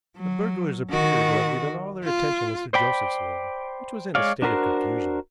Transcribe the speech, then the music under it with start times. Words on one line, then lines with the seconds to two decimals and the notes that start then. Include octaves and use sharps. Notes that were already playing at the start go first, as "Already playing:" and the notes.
The burglars appeared to have given all their attention to Sir Joseph's room, which was in a state of confusion.
0.17 F#3
0.90 D#3 F#4
2.04 F4
2.73 C5 D5 G5 B5
4.15 G#3 C#5 D5 F5
4.42 D4 F#4 A#4 C5